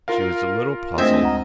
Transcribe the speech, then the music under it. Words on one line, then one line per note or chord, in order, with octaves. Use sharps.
She was a little puzzled.
F4 A#4 F5
G#3 A3 C4 D4 D#5 E5 G#5
D2 F#5 A#5